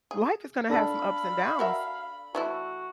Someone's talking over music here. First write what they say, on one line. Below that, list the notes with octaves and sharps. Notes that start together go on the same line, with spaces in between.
w life is gonna have some ups and downs."
G#4
D4 A4 F5 B5
F#4 A#4 E5
E3 A3 E4 F#4